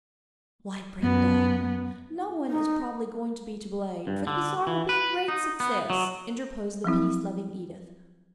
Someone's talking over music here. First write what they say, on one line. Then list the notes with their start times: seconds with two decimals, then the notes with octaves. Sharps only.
"Why, Brenda, no one is probably going to be to blame, for the Bazaar will be a great success," interposed the peace-loving Edith.
1.00 F#2 B3
2.49 D#4
4.07 G2
4.27 D3
4.67 E3
4.89 B4
5.28 D#4
5.60 B3
5.90 F#3
6.84 F3 F#3 C4 E4